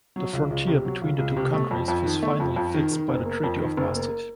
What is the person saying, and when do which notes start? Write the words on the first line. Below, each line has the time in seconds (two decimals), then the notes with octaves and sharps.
The frontier between the two countries was finally fixed by the Treaty of Maastricht.
0.16 F#3
0.33 C#2
0.51 C#2
0.67 C3
0.85 F#3
1.02 C#2
1.19 C#2
1.36 C3
1.54 A3
1.71 F2
1.88 F2
2.06 D#3
2.23 A3
2.40 F2
2.56 F2
2.74 D#3
2.92 D#3
3.09 F#1
3.26 A#3
3.44 F2
3.60 D#3
3.77 F#1
3.95 A#3